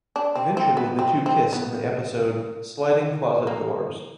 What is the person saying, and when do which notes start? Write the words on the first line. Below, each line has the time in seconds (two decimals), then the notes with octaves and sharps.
Eventually the two kiss in the episode "Sliding Closet Doors".
0.16 D4
0.35 C4
0.57 C4
0.77 B3
0.99 C4
1.26 C4
1.53 B3
3.47 A#3